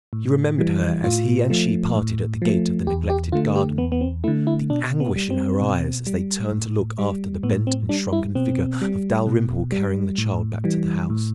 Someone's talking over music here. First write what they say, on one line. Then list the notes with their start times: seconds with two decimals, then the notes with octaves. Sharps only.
He remembered her as he and she parted at the gate of the neglected garden, the anguish in her eyes as they turned to look after the bent and shrunken figure of Dalrymple carrying the child back to the house.
0.13 A2
0.58 E3 G3
1.04 A2 F4
1.50 F3 A3
1.95 A2
2.42 F3 A3
2.87 E2 G4
3.10 G4
3.32 D3 A3 F4
3.56 G4
3.78 E2 B3
3.92 B3
4.01 C4
4.24 D3 A3 E4
4.47 E4
4.70 B2 D4
5.00 B3
5.16 G3
5.31 C4
5.61 B2
6.07 G3
6.52 A2
6.98 G3
7.43 A2 B3
7.67 C4
7.89 G3 D4
8.13 E4
8.35 B2 C4
8.82 G3
9.27 B2
9.72 G3
10.18 A2
10.64 E3 G3
11.10 A2